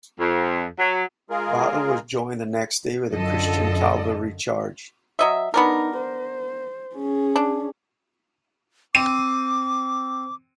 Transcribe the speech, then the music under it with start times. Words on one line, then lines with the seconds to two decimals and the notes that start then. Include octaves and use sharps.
Battle was joined the next day with a Christian cavalry charge.
0.20 F2
0.79 F#3
1.30 G#3 F4 G#4 A#4
3.12 F#2 D3 F4 A4 D#5
5.19 F#3 D#5 E5
5.54 B3 D4 D#4 A#4
5.98 C5
6.95 C#4 G#4
7.36 D4
8.95 C4 D6 D#7